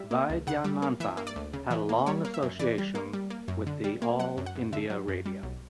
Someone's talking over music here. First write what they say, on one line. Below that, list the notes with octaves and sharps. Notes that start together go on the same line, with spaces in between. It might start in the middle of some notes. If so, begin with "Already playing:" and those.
Vaidyanathan, had a long association with the All India Radio.
Already playing: G3 E5
A#3
C#2
C#3 F#5
G3
A#3
E3 E5
A#3
D5
D2
C#3
E3
A#3
G3 C#5
A#3
E5
F#2
E3 D5
G3
A#3
G3
A#3
F#2
D3
G3
A#3
F#3 F#5
F#2
F#5
F#2
D3 E5
F#3
F#2
G3
B1